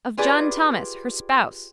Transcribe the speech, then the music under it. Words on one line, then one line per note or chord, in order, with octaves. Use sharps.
Of John Thomas, her spouse.
F4 G4 G#4 B4 D5